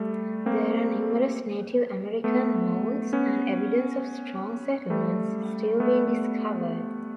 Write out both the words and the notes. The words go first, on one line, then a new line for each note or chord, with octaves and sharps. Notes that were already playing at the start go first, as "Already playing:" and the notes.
There are numerous Native American Mounds and evidence of strong settlements still being discovered.
Already playing: G3 A3
A#3 C4
A3 B3
B3 C#4
G3 A3
A3 B3